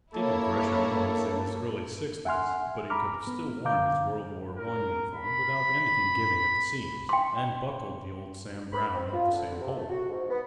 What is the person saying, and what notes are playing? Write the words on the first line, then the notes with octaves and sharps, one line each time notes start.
Stephen Gresham was in his early sixties, but he could have still worn his World War I uniform without anything giving at the seams, and buckled the old Sam Browne at the same hole.
A#3 E4 A4 C#5
E5 F#5 G#5 C6 F6
A#5 B5 D6 F6
B3
D3 F5 A#5 D6 G6
A#4
B5
G5 C6
B5
C4
F4
D3
C3
A3
F#4
G#2
B3